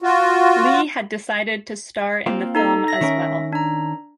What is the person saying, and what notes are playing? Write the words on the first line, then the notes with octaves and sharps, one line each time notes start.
Leigh had decided to star in the film as well.
F4 F#4
A#3 C4 F4
D#4 A4 A#5
E5 A#6
D#3 C#4 A#4
D4 A#5